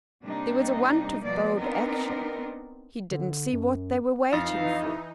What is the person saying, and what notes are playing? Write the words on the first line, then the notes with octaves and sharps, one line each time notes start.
There was a want of bold action; he didn't see what they were waiting for.
C3 G3 A#3 D4 D#4
B2 F3 G3 A#3 D5
B3 C4 D4 D#4 A#4
D3
F#2
F2 E3 D#4 F4 F5